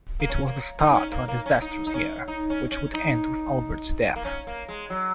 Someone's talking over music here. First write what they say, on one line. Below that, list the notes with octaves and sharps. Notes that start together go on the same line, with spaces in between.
It was the start to a disastrous year, which would end with Albert's death.
A#3
C#4
A#3
D#4
A#3
C#4
A#3
A#3
C#4
D#4
D#4
C#4
D#4
C#4
C#4
D#4
A#3
C#4
A#3
G#3
F#3